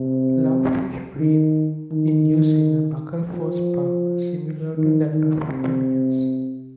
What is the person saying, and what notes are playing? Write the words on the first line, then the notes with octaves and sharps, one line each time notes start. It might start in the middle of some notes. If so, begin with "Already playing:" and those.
Lungfish breathe in using a buccal force-pump similar to that of amphibians.
Already playing: C3
D#3
D#3
F3
D#3
D#3
C3